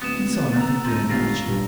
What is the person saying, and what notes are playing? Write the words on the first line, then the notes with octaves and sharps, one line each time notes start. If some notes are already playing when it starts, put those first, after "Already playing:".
He saw nothing to encourage him.
D1 B3 D#6 E7
A#3 A#5 E6 F7
D1 F3 D#4
G1 C#3 G#3 F4 A#6
G#1 G2 A#2